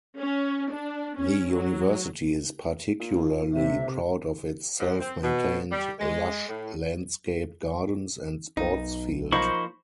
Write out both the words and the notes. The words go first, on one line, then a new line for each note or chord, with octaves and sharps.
The University is particularly proud of its self-maintained lush landscaped gardens and sports field.
C#4
D4
C#4
F#3
A#2
A1 C3 E5
F#2
C4
B2
G3
G#3
A2
B1 D#4
F3 A#3 D#4 C5 B5 C#6